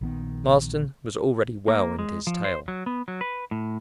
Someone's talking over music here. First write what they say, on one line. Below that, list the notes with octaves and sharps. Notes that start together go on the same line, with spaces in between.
Marsden was already well into his tale...
A#1 D#3 B3
A#3
G#3
F3
C5
F#3
B3
F#3
B4
A2